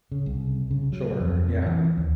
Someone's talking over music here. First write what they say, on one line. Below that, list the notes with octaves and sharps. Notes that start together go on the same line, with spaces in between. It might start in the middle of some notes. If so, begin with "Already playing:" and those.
Sure. Yeah.
C#3
C2
C#3
F#3
F2
C4
E3
D#2